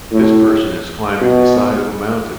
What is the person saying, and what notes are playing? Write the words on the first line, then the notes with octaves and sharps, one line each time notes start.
This person is climbing the side of a mountain.
A2
B2